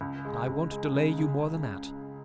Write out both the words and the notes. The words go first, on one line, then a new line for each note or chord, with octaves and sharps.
And I won't delay you more than that.
C#2
G#3
C#2
G#3
C#3
G#3